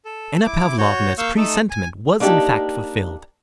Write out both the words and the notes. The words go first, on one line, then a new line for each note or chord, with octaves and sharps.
Anna Pavlovna's presentiment was in fact fulfilled.
A4
E4 D6
F#4 C#5 G6
A#3 F5 C#6 E6 G6
A3 D#4 A4
G#5
A#3 D4 D#4 G4